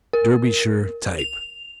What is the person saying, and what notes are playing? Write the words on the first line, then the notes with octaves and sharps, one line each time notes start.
Derbyshire type.
A#4
F7